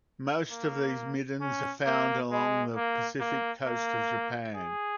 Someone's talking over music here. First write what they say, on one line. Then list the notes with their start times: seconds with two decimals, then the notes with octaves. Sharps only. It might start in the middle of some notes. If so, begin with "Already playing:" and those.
Most of these middens are found along the Pacific coast of Japan.
0.51 A#3
1.41 C#4
1.86 A#3
2.31 G#3
2.76 A#3
3.20 A#3
3.66 A#3
4.56 G#4